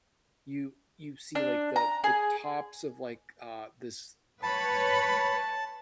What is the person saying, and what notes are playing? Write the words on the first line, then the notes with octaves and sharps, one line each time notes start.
you you see, like, the the tops of like, uh, this, uh
D4
A#5
G#4
B4 C#5 A5 B5